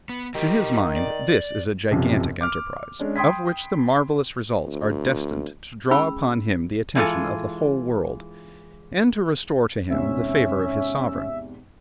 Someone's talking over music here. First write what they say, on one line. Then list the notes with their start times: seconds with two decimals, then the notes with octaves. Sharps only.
To his mind, this is a gigantic enterprise of which the marvellous results are destined to draw upon him the attention of the whole world, and to restore to him the favour of his sovereign.
0.09 B3
0.35 D#3 F#3 G4
0.96 D5
1.90 B1 F#2 C3 F3
2.41 D6 F6
2.99 G#3 C#4 D4
3.16 G5 B5 C6 D#6 G#6 B6
4.67 D2
5.91 C#4 G#4 B5 E6
6.95 E3 G#3 A#3 F4 A4 G#5
9.90 E2 G#2 C3 C#4 E5